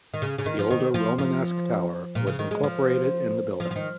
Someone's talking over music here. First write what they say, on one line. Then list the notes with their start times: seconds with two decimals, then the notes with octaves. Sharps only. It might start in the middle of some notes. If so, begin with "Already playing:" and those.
The older Romanesque Tower was incorporated in the building.
0.14 D#3
0.22 C#3
0.38 C#3
0.46 D#3
0.59 F3
0.70 D#3
0.94 F3
1.18 F3
2.15 A#2
2.27 C#3
2.39 D#3
2.51 G#3
2.63 F3
3.60 F3
3.71 F3
3.76 D#3